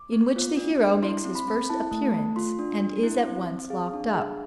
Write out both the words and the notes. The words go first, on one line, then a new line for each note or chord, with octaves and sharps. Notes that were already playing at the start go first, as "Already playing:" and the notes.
In which the Hero makes his first Appearance & is at Once locked up.
Already playing: D6
B3
F4
D4
D4
E4 C6
C4
B5
C4
E4 A5
A3
A3
F4 C6
D4
D4
E4
C4
C4
G#4 F5
D4
G#4